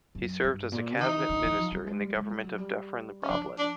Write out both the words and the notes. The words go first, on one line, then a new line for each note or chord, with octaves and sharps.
He served as a cabinet minister in the government of Dufferin Roblin.
F#2
G2
A#2
E3 D#4
D#3
D3
E3
F3
G3
G#3
G3
G#3
G3
F#3
G3
C#4
F3 D4
D4